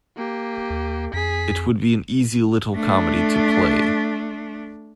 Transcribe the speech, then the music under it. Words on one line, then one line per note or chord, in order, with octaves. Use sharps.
It would be an easy little comedy to play.
A#3 G4
D#2
F2 G#4 B6
A3 D4